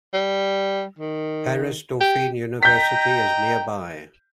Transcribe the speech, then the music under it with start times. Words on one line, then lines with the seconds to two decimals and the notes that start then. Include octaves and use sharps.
Paris Dauphine University is nearby.
0.14 G3
0.99 D#3
2.01 G4
2.63 D#5 G5 A#5 G6 B6